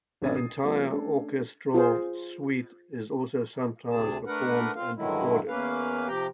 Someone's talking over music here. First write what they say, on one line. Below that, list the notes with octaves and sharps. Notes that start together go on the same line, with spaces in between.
The entire orchestral suite is also sometimes performed and recorded.
A1 C4 D4 B5 G#6 A6
D#6 C7
F3 G3 A#3 C4
A3 C#4 D4 A4
F4 G#4 C5
D2 C3 G#4 A5
A3 D4 A#4 B4 F#5
C4 F4 F5
G2 D3 D#3 F#3 G#3 E4
E2 A#3 C#4 B4 F5
C3 F3 G4 G5 A#5